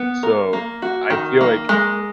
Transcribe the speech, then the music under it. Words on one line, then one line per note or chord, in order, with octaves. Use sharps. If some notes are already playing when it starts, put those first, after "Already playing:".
So, I feel like
Already playing: B3
A#4
A#3
F#4
D#3
A#3
G#3